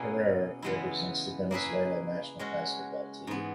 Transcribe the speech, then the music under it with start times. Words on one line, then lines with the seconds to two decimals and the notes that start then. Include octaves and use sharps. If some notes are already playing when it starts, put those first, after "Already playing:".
Carrera represents the Venezuela national basketball team.
Already playing: B2 A#3 C#4 E4 G#4
0.62 C#3 E3 G#3 B3 E4
1.51 A#3 E4 G#4 B4 E5
2.39 G#3 C#4 F#4
3.27 G#2 E3 B3